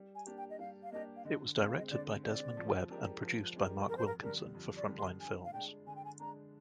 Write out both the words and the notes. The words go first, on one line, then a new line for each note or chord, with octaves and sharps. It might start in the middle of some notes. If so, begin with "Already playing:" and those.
It was directed by Desmond Webb and produced by Marc Wilkinson for Frontline Films.
Already playing: G3
G#5
A#3 D4 G4
G5
D#5
G3 F5
F5
A#3 D4 G4 D#5
F5
D3 D#5
G#3 C4 D#5
F5
D#5
D3 D5
G#3 C4 D5
F3
G#3 D4 G4 A#4
F3
G#3 D4 G4 A#4
F2 A#4
C5
A#4
D3 G3 D4 A#4
F2
D5
D3 G3 D4
C6
D3 G#5
F5
G#3 D4 G5
D3 G#5
G5
G#5
G#3 D4 A#5